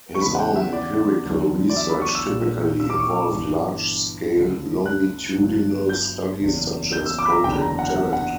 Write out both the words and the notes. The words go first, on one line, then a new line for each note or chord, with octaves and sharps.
His own empirical research typically involved large-scale longitudinal studies such as Project Talent.
C#6
E2 C#3 G3 B5
F#5
G5
E5
D5
E2 D3 F#3
D5
E5
B5
C#6
E6
A#1 A#2 G3
E6
D6
C#6
D6
G1 G2 E3 G3
D2 C#3 G3
F#6
G1 G2 F#3
G6
F#1 E2 C#3
G6
E6
D6
B5
A#5
F#1 E2 D3 G5
A#5
F#5
E5
F#5